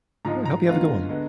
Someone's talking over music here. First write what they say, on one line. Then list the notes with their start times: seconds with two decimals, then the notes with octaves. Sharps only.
Yeah, hope you have a good one.
0.25 G#2 F3 G#3 D#4 A#5
0.45 A#5
0.66 D2 D3 G#3 B3 F4
1.09 D3 G#3 B3